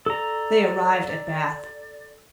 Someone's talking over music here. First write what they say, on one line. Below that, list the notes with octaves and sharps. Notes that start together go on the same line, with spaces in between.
They arrived at Bath.
A4 D5 A#5